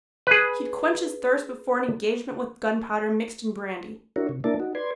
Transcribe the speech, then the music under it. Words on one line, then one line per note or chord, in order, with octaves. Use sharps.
He'd quench his thirst before an engagement with gunpowder mixed in brandy.
G#4 B4
D4 E4 F#4 A#4 C#5
C3
A#3 D4 E4 A#4 D5 A5
D#4 F#4
B4 D5 C6 G#6